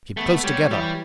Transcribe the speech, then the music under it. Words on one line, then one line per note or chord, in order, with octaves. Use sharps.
Keep close together.'
A3 B3
G3 C#5
E3 G3